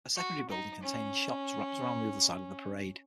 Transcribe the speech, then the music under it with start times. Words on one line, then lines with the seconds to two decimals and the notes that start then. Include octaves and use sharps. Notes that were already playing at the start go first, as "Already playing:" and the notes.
A secondary building containing shops wraps around the other side of the parade.
0.16 F#4
0.49 D#4
0.82 C#4